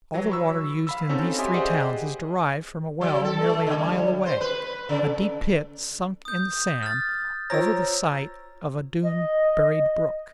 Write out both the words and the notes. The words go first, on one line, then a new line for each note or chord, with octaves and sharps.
All the water used in these three towns is derived from a well nearly a mile away--a deep pit sunk in the sand, over the site of a dune-buried brook.
E3 F#3
B5 C#6 E6
F5 B5 E6
C4 C#4 D#4 F#4 A4
G4 E5 G#5 B5 C6 D#6
G4 G#4 C5 D5 D#5 F#5
F#3
A4
A3
D3
G3
C5
B4
C#3
D#6 G6
F6 A6
F4 C5 C#5 A#5 E6
D#5